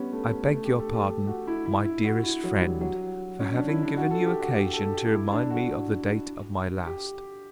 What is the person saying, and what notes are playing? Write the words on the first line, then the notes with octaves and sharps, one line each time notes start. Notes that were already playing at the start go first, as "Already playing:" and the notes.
I beg your pardon, my dearest friend, for having given you occasion to remind me of the date of my last.
Already playing: G3 B3 C#4
A3
A3
G4
A4
G4
F#4
E4
E4
E4
F#4
E4
F#3
G3
F#3
C#4
D4
E4
D4
F#4
A4
G4
F#4
G4
A4
G4
E4
D4
F#4
G4